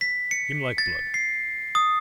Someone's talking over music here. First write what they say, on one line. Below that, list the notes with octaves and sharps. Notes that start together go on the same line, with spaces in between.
Heem like blood.
B6
C#7
A6
C7
D#6